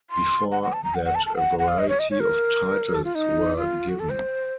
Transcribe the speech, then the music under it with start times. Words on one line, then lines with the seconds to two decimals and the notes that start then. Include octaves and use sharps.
Before that, a variety of titles were given.
0.10 C6
0.52 F#5
0.63 F#5
0.73 A5
0.84 A#5
0.95 F#5
1.05 F#5
1.15 A5
1.26 A5
1.36 F#5
1.59 F#5
1.68 F5
1.79 D#5
1.89 C#5
1.99 D#5
2.10 C#5
2.20 A#4
2.94 A4
3.05 F4
3.15 D#4
3.57 F4
3.89 F#4
4.00 A4
4.10 C5